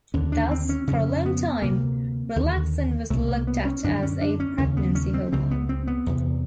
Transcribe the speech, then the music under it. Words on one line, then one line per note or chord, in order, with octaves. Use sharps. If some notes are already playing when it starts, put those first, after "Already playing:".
Thus, for a long time, relaxin was looked at as a pregnancy hormone.
D#2 D3 C#4
D4
C4
C#4
F2 C#3 C#4
B3
D2 C3 A#3
D#2 D3
C2 B2 A3
A#3
B3
C#4
F#2 D3 D4
C#4
D4
C#4
D#2 C#3 C#4
B3
C#4
C4
C#2 C#3 C4
B3
C4
B3
E2 C3